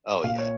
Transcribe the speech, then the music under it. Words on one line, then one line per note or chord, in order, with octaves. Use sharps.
Oh, yeah.
A#2 F5
C#5